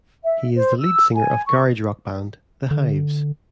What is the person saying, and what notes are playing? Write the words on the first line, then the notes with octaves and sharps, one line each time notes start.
He is the lead singer of garage rock band The Hives.
E5
C5
E6
G#5
C#6
D3